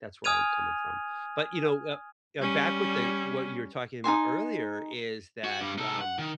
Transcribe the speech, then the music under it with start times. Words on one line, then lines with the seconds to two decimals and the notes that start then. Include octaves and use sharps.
that's where I'm coming from. But, you know, uh uh, back with the what you were talking about earlier is that, um,
0.24 G#5 D#6 F6 G#6 D#7 F7
2.39 G3 C#4
4.04 D#4 F4 G#5 C6
5.44 F#4
5.60 G2 G3
5.78 D#4 A4
6.01 F#5
6.19 D#3